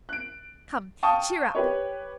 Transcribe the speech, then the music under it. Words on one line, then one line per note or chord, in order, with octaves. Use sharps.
Come, cheer up.
F#6 D7
F5 G5 A5 C#6 D#6
G4 B4 C#5